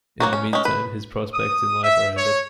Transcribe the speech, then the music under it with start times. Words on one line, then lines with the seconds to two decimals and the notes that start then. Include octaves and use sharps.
In the meantime his prospects in life are ended.
0.20 F#3 A#3 F#4
0.33 C#4
0.53 G#3 C#4
0.65 B4
1.34 D#6
1.82 E5
2.17 C#5